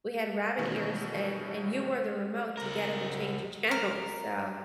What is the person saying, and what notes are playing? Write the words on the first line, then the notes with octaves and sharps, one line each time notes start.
we had rabbit ears and and you were the remote to get up and change the channel, so
B2 D#3 E3 A3 B3 C#4
C#2 A#4
A#4